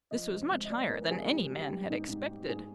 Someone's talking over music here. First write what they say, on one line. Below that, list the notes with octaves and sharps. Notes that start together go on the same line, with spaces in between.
This was much higher than any man had expected.
F3 D#5
C3
G#3
D#5
G#3 D5
G#3 A#4
A#4
F3 G#4
G#2 G4
G3
G4
G3
G#2 D#4
G#2
G3
G#2 G#4